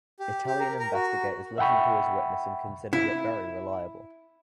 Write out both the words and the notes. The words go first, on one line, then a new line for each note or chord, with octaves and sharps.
Italian investigators listened to his witness and considered it very reliabile.
G4
G4
A#4
A#4
F#4
E5 F#5 G5 B5 C#6
E4